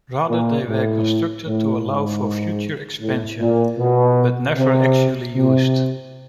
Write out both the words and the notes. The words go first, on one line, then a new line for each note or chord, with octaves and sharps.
Rather they were constructed to allow for future expansion, but never actually used.
A#2
A2
A2
G#2
A2
A#2
B2
C3
C3